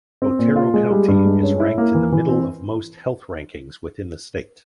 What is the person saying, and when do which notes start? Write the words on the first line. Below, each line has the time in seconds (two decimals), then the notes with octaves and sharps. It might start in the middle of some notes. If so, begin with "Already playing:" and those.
Otero County is ranked in the middle of most health rankings within the state.
0.22 C4
0.39 A#2
0.56 F4
0.74 G#3
0.91 G3
1.08 G2
1.25 G#3
1.43 C#4
1.60 E4
1.78 A#3
1.94 E3
2.12 E3
2.29 C4